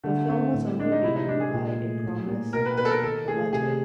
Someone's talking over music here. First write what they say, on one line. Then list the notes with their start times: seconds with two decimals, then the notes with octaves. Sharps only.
The film was only beaten by "A Promise" and "The Letter".
0.03 D3 A3
0.29 A3 C4
0.53 A2
0.79 G#3 D4
0.92 D#4
1.04 C3 E4
1.16 D#4
1.28 G#3 D4
1.40 G#4
1.53 A#2
1.78 A3
2.03 A2
2.28 A#3
2.53 B2 A#4
2.65 B4
2.77 B3 B4
2.85 A4
2.90 A#4
3.03 D#3 A4
3.28 A3 G#4
3.53 C3 G#4